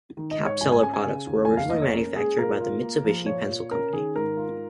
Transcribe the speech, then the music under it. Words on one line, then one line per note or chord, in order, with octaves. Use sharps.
Capsela products were originally manufactured by the Mitsubishi Pencil Company.
D#3
D#5
G#2
C#5
G#1 G#5
G#5
C#4 G#5
G#5
C#3
D#2
F1 G#5
F5
A#3 D#5
C#5
C#4 A#4
G#3 G#4
A#2 A#4
F4
A#3
F3
A#2 C#5
A#2
C#4 A#4
D#3 G#4
G#2 A#4
F4